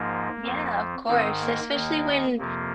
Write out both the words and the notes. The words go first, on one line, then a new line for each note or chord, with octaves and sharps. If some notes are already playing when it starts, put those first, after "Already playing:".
Yeah, of course, especially when
Already playing: G#2 F3 A#3
F2 F3
G#2 D#3 C4
A#3
D#2 D#3
F2 C3 F3 A#3